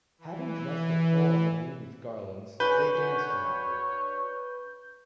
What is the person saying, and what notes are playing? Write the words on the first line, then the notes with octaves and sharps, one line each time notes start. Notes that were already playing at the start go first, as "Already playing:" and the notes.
Having dressed a pole on the green with garlands, they danced around it.
E3
D4 F#4 G#4 B4 C#5 G6